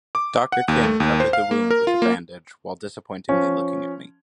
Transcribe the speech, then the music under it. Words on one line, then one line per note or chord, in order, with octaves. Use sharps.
Doctor Kim covered the wound with a bandage while disappointingly looking at me.
D6
F#5
D#2
A3
D#2
C5
F5
A#3
A#4
F4
A#3
F3 C#4